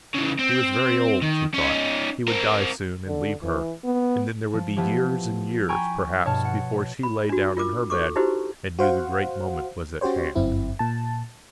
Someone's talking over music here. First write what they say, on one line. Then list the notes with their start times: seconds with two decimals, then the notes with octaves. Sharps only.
He was very old, she thought; he would die soon and leave her, and then there would be years and years, perhaps, before she lay down in her bed and knew the great moment was at hand.
0.14 C#3 E3
0.39 C4
1.22 D#3
1.54 C#4 D#4
2.28 C4 A#4
3.07 D3
3.43 E3
3.85 B3
4.53 F3
4.76 F3 B3 E4 G4
5.69 G5 G#5 A#5 B5 C#6 G#6
6.25 G2 B2 C#5 A5 F6
6.45 F#5
7.03 B5
7.29 D4 F#4
7.57 F4 A#4 D6
7.90 A4 C#6 D6
8.16 D#4 E4 F#4 G4 B4 C5
8.79 F#4 C5 F5 F#5
10.01 C#4 F#4 G4 C5 C#5
10.36 G1 F#2 C4 E4
10.79 A#2 A5